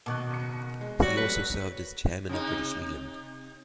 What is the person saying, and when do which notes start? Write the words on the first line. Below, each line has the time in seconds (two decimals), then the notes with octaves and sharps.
He also served as chairman of British Leyland.
0.06 B2 D#3 A5 C#6 D6 F#6
0.30 F#1 C#7
0.81 G#3
1.02 F#3 G3 F#4 C#5 D5
1.17 A3 A#3 B4
2.29 C3 D#4